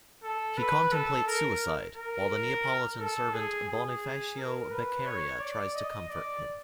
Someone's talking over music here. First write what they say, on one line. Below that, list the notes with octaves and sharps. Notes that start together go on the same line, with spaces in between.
He contemplates suicide, while the Neapolitan servant, Bonifacio Beccheria, tries to comfort him.
A4
B4
A4
A#4
A#4
A4
G#4
G#4
A#4
B4
C#5
D5
D#5
D5